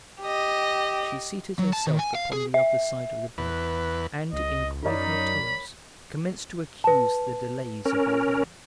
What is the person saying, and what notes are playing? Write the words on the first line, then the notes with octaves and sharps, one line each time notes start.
She seated herself upon the other side of the bed and in quavering tones commenced to accuse the delays of old age.
G4 D#5
F#3
A5
D#3
G#5
F5
G#4
E5
E2 B4
C#2 D#5
F#2 D#4 A#4 C#5 D5 B5
B4 A5
C#4 A#4